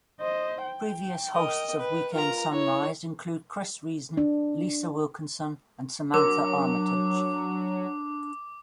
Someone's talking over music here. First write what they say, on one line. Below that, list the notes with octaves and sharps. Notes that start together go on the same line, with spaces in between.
Previous hosts of "Weekend Sunrise" include Chris Reason, Lisa Wilkinson and Samantha Armytage.
C5 D#5
G5
A#4 D#5
B4
F4 A#4 A#5
E4 C#5
D4
F#3 D4 A#4 C6 D6